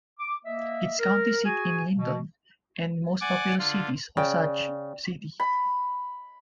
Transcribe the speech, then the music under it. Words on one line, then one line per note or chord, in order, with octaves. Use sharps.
Its county seat is Lyndon, and its most populous city is Osage City.
D6
A#3 D#5 E5
A#4
F#4 G#4 G#5
B2
D5 F#5 G#5 D6
D3 F4
C#3 D5 G5
B5